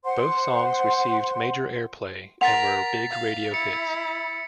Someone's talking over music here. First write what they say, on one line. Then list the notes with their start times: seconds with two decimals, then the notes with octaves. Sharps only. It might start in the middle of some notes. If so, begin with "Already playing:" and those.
Both songs received major airplay and were big radio hits.
0.05 C5 F#5 C6
2.41 A#4 F#5 C6 A6 B6 F7
3.10 F5
3.54 E4 C#7